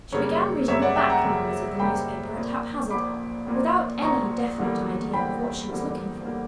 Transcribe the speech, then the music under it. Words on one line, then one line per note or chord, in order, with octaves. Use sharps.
She began reading the back numbers of the newspaper at haphazard, without any definite idea of what she was looking for.
F#2 C#3 G3 A#3 C#5
F#2 C#3 G3 A#3 C#5 E5
D5 F#5
E5 G5
F#5 A#5
F#2 C#3 G3 A#3
F#2 C#3 G3 A#3 G5 B5
A#1 A#2 A#3
A#1 A#2 A#3 B5 D6
A#1 A#2 A#3
A#1 A#2 A#3 A#5 C#6
E2 D3 G3 A#3
E2 D3 G3 A#3 G5 B5
E2 D3 G3 A#3
D3 G3 A#3